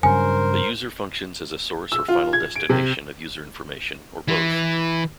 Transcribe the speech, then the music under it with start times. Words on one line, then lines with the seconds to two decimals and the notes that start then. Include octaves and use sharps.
A user functions as a source or final destination of user information, or both.
0.03 G2 C#3 F#3 A#4 C5 G#5
1.92 E6
2.08 F4
2.33 G#6
2.56 D7
2.70 C3
4.28 E3